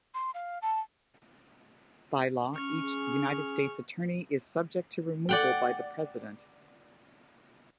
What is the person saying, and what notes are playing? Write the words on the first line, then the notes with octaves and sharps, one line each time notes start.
By law, each United States attorney is subject to removal by the President.
C6
F5
A5
C#4 C#6 F6
G#4
D5 F#5 G5